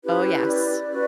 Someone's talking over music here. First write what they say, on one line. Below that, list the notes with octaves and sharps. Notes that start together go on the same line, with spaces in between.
Oh yes.
C#4 E4 G4 B4
D5
C#4 F#4 B4